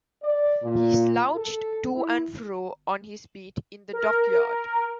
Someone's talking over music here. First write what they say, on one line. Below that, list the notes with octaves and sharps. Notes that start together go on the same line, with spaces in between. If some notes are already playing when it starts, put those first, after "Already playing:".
He slouched to and fro on his beat in the dockyard.
D5
A#2
A4
E4
A#4